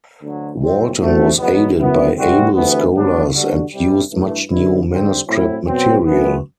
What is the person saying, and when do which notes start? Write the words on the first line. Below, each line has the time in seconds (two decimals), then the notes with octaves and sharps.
Walton was aided by able scholars and used much new manuscript material.
0.21 D2 D3 F#3
0.61 C2 C3 F#3 C4
0.99 D2 D3 A3 C4 F#4
1.38 E2 B2 F#3 B3
1.77 F#2 E3 B3 E4
2.16 C2 C3 G3 C4 F#4
2.55 D2 C3 E3 B3
2.94 D2 D3 F#3 B3 D4
3.33 D3 G3 D4 F#4
3.72 C2 C3 G3
4.11 G2 E3 A3
4.49 D3 G3 B3 E4
4.88 D3 G3 C4
5.27 A2 F#3 C4 E4
5.66 B2 F#3 C4
6.05 F#2 E3 B3